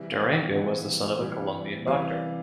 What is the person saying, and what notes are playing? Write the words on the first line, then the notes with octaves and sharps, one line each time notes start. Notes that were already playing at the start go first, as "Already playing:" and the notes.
Durango was the son of a Colombian doctor.
Already playing: C3 E3 G3 E5
F5
G5
F#5
C3 E3 G3 F#5
C3 E3 G3
C3 E3 G3 F5
D5